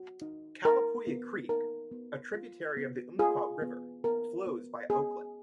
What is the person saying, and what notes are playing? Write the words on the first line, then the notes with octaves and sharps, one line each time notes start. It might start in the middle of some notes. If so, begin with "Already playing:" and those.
Calapooya Creek, a tributary of the Umpqua River, flows by Oakland.
Already playing: F#4
D#4
D#4 A#4
B3
D#4 A#4
B3
F4
B3
F4 G#4
B3
B3 A#4
B3
B3 G#4